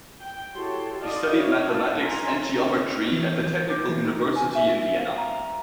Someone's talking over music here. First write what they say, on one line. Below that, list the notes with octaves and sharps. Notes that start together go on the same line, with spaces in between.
He studied mathematics and geometry at the Technical University in Vienna.
G5
E4 F#4 G4 A4 C#5 C6
A4 D5 D#5 F5
E4 F#4 C#5
F5 A5
G#5 A#5 C6
E3
G6
D6
E3
D#4
G#5
E5
F5
A#5